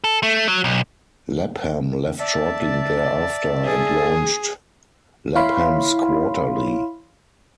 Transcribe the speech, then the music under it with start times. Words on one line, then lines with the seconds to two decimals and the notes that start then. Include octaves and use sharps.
Lapham left shortly thereafter and launched "Lapham's Quarterly".
0.04 A4
0.23 A3
0.48 F#3
0.64 B1
2.19 D5 E5 A5
3.65 G#4
5.35 E4 C#5 F5 B5 C6